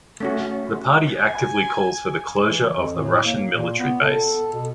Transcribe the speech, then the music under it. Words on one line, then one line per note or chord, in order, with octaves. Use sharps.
The party actively calls for the closure of the Russian military base.
A3 C#4 F#4
G#5
E3
F2
A2
A#3
A#2
B3
A4
B2